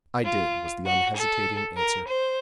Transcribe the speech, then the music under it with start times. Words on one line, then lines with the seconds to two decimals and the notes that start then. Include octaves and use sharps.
"I did," was the unhesitating answer.
0.25 F4
0.86 F#4
1.17 A4
1.77 A#4
2.08 C5